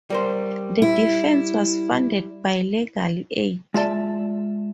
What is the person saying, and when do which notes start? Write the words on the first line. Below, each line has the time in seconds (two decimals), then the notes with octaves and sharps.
The defence was funded by legal aid.
0.10 G3 A#4 C5
0.82 E4
3.74 G#3 F4 D5 E5 A5